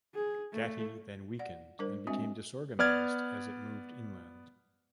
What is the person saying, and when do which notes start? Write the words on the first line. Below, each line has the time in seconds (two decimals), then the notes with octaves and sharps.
Gati then weakened and became disorganized as it moved inland.
0.15 G#4
0.53 A3
1.39 D5 F#5
1.79 G3 D4 A#4 C5
2.07 G#3 C4 D4 F#4 E5 G#5
2.79 B3 D5 F6 G#6